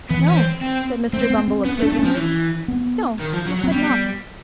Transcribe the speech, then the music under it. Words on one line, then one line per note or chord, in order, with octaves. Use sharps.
'No'; said Mr. Bumble approvingly; 'no, you could not.
E3 B3
C#4
C4
C4
A3 C4
B3
C4
B3 C#4
A3
D4
A3 C4
C#4
F3
E3
B3
D#3
F3
F#3
F#3
C4
G3 B3